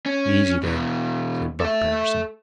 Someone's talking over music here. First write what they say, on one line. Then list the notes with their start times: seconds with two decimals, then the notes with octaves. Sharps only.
"Easy there!" said Buck Patterson.
0.06 C#4
0.63 E2 B2
1.60 A4 E5